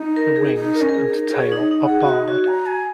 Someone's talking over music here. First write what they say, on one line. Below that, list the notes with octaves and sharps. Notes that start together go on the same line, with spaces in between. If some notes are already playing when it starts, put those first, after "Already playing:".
The wings and tail are barred.
Already playing: D#4
A#4
G#4
D#4
A#4
C#4
A#4
G#4
D#4
A#4
G#4 C#5
D#4
D#5
D#4
F#5
G#4
F#4
D#5
D#4
F#4 C#5
A#5
G#5